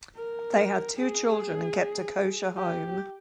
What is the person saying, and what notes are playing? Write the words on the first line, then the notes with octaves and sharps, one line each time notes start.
They had two children and kept a kosher home.
A#4
G#4
G4